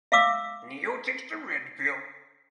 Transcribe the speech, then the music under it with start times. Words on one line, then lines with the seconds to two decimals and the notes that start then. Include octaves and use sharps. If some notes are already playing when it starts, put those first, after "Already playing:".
Neo takes the red pill.
0.12 E5 F5 D6 E6